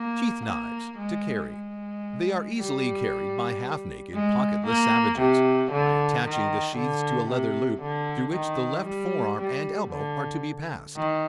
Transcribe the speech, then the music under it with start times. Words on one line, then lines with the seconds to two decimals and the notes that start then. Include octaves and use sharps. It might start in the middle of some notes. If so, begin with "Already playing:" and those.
Sheath Knives, to carry.--They are easily carried by half-naked, pocketless savages, by attaching the sheaths to a leather-loop, through which the left forearm and elbow are to be passed.
Already playing: A#3
0.46 A#3
0.98 G#3
1.51 G#3
2.56 G3
4.14 G#3
4.67 A#3
5.19 C3
5.72 D3
6.24 D#3
6.76 D3
7.28 C3
7.82 D3
8.34 D#3
8.87 G3
9.39 G3
9.91 D3
10.96 D#3